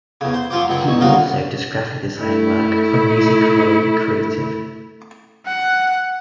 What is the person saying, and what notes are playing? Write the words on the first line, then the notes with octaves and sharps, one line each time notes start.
He also does graphic design work for Music Row Creative.
E2 C#3
C5
F#2 F3 F4 C5 D6
C#2 F#2 C4
B1 E2 C#6
G2 A#2 D#4 F4 F#4
A3 E4
F#5